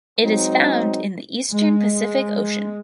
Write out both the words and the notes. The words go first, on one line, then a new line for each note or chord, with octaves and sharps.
It is found in the eastern Pacific Ocean.
F#3 G#3 C4 D#4
G#3